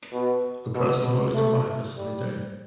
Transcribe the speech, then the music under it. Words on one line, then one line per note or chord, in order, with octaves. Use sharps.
A person holding a bike a sunny day.
B2
B2
B2
A3
G3